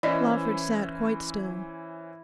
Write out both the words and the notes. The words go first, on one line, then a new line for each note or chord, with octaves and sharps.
Lawford sat quite still.
E3 C#4 E4 C5 D5 D#5